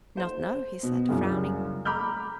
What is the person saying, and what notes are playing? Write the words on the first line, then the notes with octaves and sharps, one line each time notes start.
"Not know," he said, frowning.
C5
B2
C2 F#2 C#3
A#5 B5 D6 F6 G6